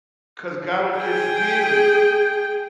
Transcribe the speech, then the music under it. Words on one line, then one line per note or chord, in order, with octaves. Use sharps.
'cause God will give him
G#4 G5